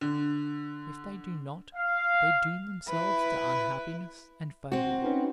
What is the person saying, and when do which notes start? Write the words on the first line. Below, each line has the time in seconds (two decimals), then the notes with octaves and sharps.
If they do not, they doom themselves to unhappiness and failure.
0.01 D3
1.75 F5
2.89 E4 B4
4.72 C4 F#4
5.02 C#4 D#4 B4